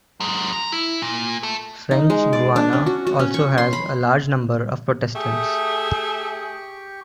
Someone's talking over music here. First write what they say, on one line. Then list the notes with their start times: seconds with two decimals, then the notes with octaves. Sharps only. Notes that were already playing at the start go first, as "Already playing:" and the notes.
French Guiana also has a large number of Protestants.
0.20 F#3 G#3
0.53 A#5
0.72 E4
1.02 A#2
1.43 A4 E5
1.91 D#4
2.10 G#3
2.33 D5
2.56 D4
2.73 C#4
2.86 F#4
3.07 F#4
3.19 C#4
3.34 C#6
3.58 C6
3.73 B5
5.15 A3 G4 G#4 G5 C#6